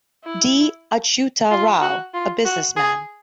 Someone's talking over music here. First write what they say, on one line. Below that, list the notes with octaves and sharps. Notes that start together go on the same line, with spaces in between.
D. Achyuta Rao, a businessman.
E4
F4
F#4
F4
F#4
G#4